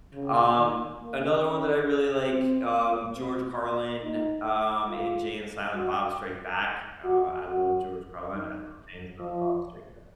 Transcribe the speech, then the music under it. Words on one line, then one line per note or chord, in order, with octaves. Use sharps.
um, another one that I really like, um, George Carlin, um, in Jay and Silent Bob Strike Back, uh, I love George Carlin, I love Jay and Silent Bob Strike Back
C#3
D#3
A#3
C#4
C4
C4
D#4
F4
F#4
F#4
F#4
D#4
F3